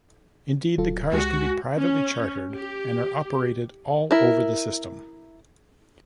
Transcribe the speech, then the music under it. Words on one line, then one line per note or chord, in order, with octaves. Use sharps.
Indeed, the cars can be privately chartered and are operated all over the system.
D1 F#3 F4 A4
C#2 G#3 F#4 G4 G#5
C#4
G4
E4 A#4